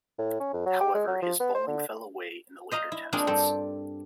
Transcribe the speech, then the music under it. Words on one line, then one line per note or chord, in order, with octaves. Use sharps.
However, his bowling fell away in the later Tests.
A2
C#4
F2
F#3
G4
G#3
F#3
F3
B3
C5
D3
C5 D#5 F5 A#5
E4
G#3 A#3 C4 D4 F4 G#4
G2 C4 A4